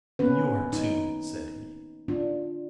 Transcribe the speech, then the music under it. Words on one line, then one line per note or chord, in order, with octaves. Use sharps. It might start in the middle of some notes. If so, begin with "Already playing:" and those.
"And you are, too," said he.
A#3 B3 C#4 B4
D#4
D4 F4